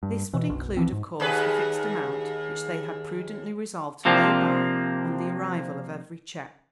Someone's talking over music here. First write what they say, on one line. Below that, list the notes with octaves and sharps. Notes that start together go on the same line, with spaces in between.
This would include, of course, the fixed amount which they had prudently resolved to lay by on the arrival of every cheque.
G2
B2 E3
F#1 B1
C2 E3 F3 C4
G#2
D#2 G#4 B4
C3 F3 A#3 C4 D4